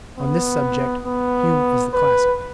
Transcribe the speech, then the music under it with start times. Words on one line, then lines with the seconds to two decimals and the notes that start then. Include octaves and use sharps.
On this subject Hume is the classic.
0.18 B3
1.06 B3
1.94 B4